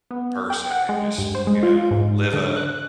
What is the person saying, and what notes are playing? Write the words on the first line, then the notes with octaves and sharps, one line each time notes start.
person and just, you know, live a
B3
G5
F#5
G#3
G2
C5
G#3
F4
G#2
D3
F#6